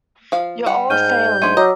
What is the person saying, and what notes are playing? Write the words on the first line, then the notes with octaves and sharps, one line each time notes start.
Your old failing.
F3 F5
G3 F#5
G#2 F6 G6 D#7
G#2 A3 D4 C6 G#6 D#7
F#3 D#5 A#5 D6 E6